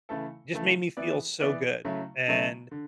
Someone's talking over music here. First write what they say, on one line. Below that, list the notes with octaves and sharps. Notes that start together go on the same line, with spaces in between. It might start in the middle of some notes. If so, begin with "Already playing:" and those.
just made me feel so good. And
C#3 E3 A3 E4 A4
C#3 E3 A3 E4 A4
E3 B3 E4 B4 D5
E3 B3 E4 B4 D5
C#3 F#3 A3 E4
C#3 F#3 A3 E4
D3